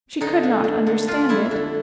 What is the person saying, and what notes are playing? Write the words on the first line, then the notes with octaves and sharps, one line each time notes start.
She could not understand it.
D3 D#4
D3
D3
D3
D3 F4
F2 E4
D3